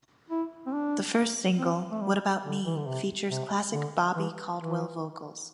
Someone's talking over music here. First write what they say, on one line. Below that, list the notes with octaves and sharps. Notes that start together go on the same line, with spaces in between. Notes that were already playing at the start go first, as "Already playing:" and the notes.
The first single, "What About Me" features classic Bobby Caldwell vocals.
E4
C4
D4
C4
A3
G3
D3
E3
D3
C3
C3
D3
E3
E3